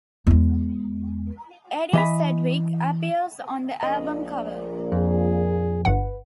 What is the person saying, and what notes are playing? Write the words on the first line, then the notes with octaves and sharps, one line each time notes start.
Edie Sedgwick appears on the album cover.
E2 G#3
E3 D#5 B5
A#1 A#2 D4 D#5
F2 G#4
G1 G2 B4 F#5